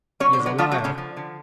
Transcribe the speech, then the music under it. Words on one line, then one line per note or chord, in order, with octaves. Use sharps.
He is a liar.
F#3 C#4 C#5
C4 C5
D3
F#3 F#4
F3 A3 F4
F#3 F#4
D3
C#3 C#4
F3
D3